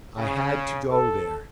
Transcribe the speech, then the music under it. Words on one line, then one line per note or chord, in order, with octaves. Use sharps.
I had to go there.
C#3
A4